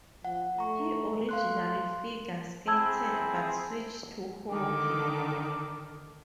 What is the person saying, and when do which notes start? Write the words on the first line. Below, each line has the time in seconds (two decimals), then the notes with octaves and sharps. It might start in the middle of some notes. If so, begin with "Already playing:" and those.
He originally figure skated but switched to hockey.
0.25 F3 F#5
0.58 A3 A#5 C#6
1.29 F5 C6 F#6
2.67 C4 E4 G#4 A5 E6 G#6
4.50 D3 D#3 A4 D6